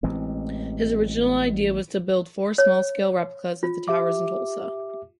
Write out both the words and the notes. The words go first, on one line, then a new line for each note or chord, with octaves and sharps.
His original idea was to build four small-scale replicas of the towers in Tulsa.
A1 E3 G#3 C4
C#5
F4
G4 E5 D6